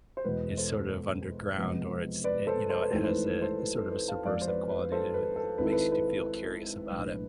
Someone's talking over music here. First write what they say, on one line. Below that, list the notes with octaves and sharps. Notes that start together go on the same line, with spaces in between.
it's sort of underground or it's, eh, you know, it has a a sort of a subversive quality to it. It makes you do feel curious about it.
C5
E2 B2 G#3 B3 B4
A4 C5
F2 C3 F3 G#3 B3
B4 D5
A4 C5
A4 C5
B4
G#1 G#2 E3 A3 A4 C5
C5
B4
B4
A4 C5
B4
A4
B4
F5 A5
F2 E3 G#3 B3 D5 F5
C5
B4 D5
B4
A4 C5
B4
A4
G#1 G#2 G#3 C4 E4 B4
A4
B4
B4
B1 A2 E3 G#3 D4